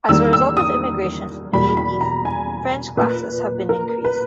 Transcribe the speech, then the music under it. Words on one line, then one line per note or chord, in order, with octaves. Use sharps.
As a result of immigration from Haiti, French classes have been increased.
E2 D#3 G3 A#3 E6
E6
D#6
E2 B2 G3 A#3 B5
B5
A#5
G#5
A#2 A#3 B4
A#4
B4